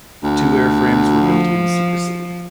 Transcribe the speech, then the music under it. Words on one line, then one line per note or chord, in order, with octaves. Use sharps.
Two airframes were built in secrecy.
D2
F3